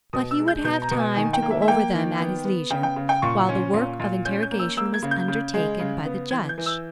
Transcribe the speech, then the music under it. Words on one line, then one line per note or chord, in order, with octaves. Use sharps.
But he would have time to go over them at his leisure, while the work of interrogation was undertaken by the Judge.
B2 D#6
E6
G#3
G6
B2 G6
A#5
B2
G#5
D#3 G#5
G5
A#3
E5
E5
A#3 G5
D#3
B3
B3
C#3 G5
G5
C#3
G5
A#2 C#6
C#4
A#2
A#2
C#4 G6
G6
A#3
E6
A#3 E6
G#6
C#3
G6
C#3
G#3
C#3
B3
E3 G#6
G6
E3
E6